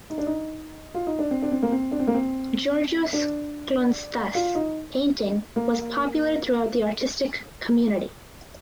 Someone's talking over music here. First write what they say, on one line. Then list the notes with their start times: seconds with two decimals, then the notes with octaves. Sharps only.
Georgios Klontzas’s painting was popular throughout the artistic community.
0.10 D#4
0.18 D4
0.26 D#4
0.94 F4
1.07 D#4
1.19 D4
1.31 C4
1.42 D4
1.51 C4
1.63 A#3
1.72 C4
1.92 D4
2.00 C4
2.07 A#3
2.14 C4
3.13 D4
4.35 F4
4.55 D#4
5.56 A#3